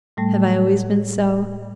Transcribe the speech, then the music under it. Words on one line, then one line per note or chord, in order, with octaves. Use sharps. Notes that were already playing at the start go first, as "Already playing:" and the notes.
Have I always been so?
A2 G3 A3